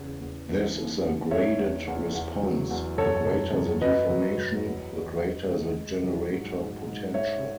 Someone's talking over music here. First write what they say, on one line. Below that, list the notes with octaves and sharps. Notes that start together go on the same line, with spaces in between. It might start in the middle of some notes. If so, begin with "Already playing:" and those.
This is a graded response: the greater the deformation, the greater the generator potential.
Already playing: E2 C#3
E2
E3
D#2
D#2
D#3 C#5 E5
E2
E2
E2
F#3
E2
F#2 A4 C#5
F#2
F#2
F#3 B4 D#5
F#3
F#3
E2
E2
E2
C#2
C#2
F#3
G#2
G#2
G#2
G#2 C#5 E5